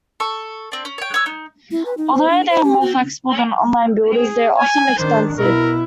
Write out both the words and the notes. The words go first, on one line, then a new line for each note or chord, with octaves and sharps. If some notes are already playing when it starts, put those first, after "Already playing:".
Although they are more flexible than online builders, they are often expensive.
A4 C#6
C4 D4
C#4
C#5 G5
C#5 E6
D#4
E4
B4
D#4
C5
D4
C5
G4
F#4
G#4
G#5
D#3 D4 C5
B2 E4 A#4